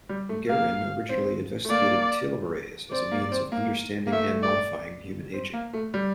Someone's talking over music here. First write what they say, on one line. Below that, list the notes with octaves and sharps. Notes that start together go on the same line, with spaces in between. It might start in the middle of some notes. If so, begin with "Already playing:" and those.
Geron originally investigated telomerase as a means of understanding and modifying human aging.
G3
A3
A#3 F5
C4
A3
A#3 D5
C4 D5
A#3
C4
A#3
A#3
A3 E5
D5
C4
A#3
A3
G3